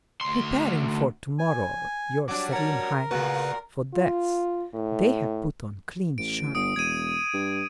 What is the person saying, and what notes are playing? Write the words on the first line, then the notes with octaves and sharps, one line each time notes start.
"Preparing for tomorrow, your Serene Highness--for death--they have put on clean shirts."
D2 C6
G#5
F#3 G3 D4 D6
A#4 C#5 F#5
A#2 C#3 A3 F#4 B4
F4
A2
A1 D7
G1 D#6 D7
E1 G#6 D#7
G2